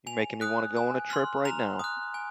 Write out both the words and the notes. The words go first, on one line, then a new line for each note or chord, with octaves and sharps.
You're making me wanna go on a trip right now.
G#5 F7
D#6 F#6
G#5
C6 F6
A#5 F7
D#6 F#6
G#5